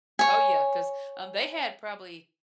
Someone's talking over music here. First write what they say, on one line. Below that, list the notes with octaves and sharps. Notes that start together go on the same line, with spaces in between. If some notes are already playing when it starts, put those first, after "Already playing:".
Oh yeah, 'cause, um, they had probably
C#5 G#5